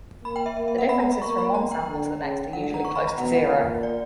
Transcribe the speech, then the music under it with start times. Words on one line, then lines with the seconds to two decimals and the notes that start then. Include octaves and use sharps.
The differences from one sample to the next are usually close to zero.
0.24 A#3 B5
0.36 G5
0.46 E5
0.57 A#3 E5
0.68 E5
0.78 F#5
0.89 B3 B5
1.00 A#5
1.12 B5
1.22 A#3 C#6
1.38 B5
1.54 A#5
1.71 G5
1.87 D3
2.20 C#3
2.52 D3 F#5
2.64 F#5
2.74 A#5
2.85 C#6
2.95 B5
3.07 A#5
3.17 B2 F#5
3.34 F#5
3.50 A#2
3.83 D5